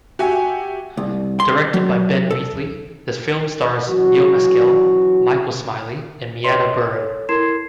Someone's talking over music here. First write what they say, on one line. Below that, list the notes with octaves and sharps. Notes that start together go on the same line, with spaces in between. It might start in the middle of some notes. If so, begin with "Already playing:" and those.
Directed by Ben Wheatley, the film stars Neil Maskell, Michael Smiley and MyAnna Buring.
F#4 G4 E5 G#5
C2
C6
F#3
A4
E3 F#3 C#4 F#4
B4 C#5 D#5 C6
A4 C#5
E4 A#4 C6 G#6 C7 E7